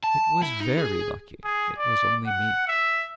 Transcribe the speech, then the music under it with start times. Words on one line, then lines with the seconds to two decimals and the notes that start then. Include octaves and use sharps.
It was very lucky it was only me.'
0.04 A5
0.43 E4
0.60 D#4
0.78 G#4
1.45 G#4
1.78 D5
2.26 F#5
2.68 E5